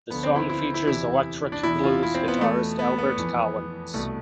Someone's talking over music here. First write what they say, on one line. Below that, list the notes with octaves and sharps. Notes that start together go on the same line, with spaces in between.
The song features electric blues guitarist Albert Collins.
D2 D3 F3 B3
C4
E4
E4
E4
E2 C3 E3 E4
D4
E2 B2 E4
F4
E4
C4
B3
E2 B2 A3
B3
B3
F2 E3
C2 B2 A3